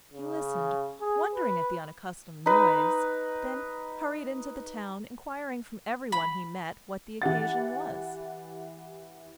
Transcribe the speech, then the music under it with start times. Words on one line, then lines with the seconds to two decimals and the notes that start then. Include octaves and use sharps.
He listened, wondering at the unaccustomed noise, then hurried into the town, inquiring from every one he met what the occasion was.
0.13 C#3
1.00 G#4
1.35 B4
2.46 D#4 B4
6.12 B5
7.22 E3 G4 F#5 A6